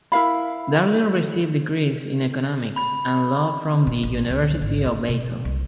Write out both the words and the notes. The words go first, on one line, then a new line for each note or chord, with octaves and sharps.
Darling received degrees in Economics and Law from the University of Basel.
E4 A#4 F5 B5
B5
A#2
A1
C#2
G#1
A#3
B2
C2